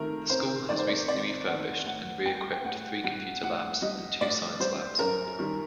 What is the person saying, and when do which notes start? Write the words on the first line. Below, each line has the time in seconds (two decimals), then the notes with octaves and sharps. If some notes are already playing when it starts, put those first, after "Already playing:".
The school has recently refurbished and re-equipped three Computer Labs and two Science Labs.
Already playing: C3 D#3 A3 A#4
0.30 C3 C5
0.69 D#3 A3 D5
0.79 C5
0.88 D5
1.08 C3 D5
1.47 D#3 A3 F#5
1.86 A2 F#5
2.25 G3 G5
2.53 G5
2.65 A2 F#5
3.04 G3 F#5
3.42 A2 F#5
3.82 G3 D#5
4.21 A2 D5
4.60 G3 C5
4.99 F#2 A#4
5.39 D#3 G3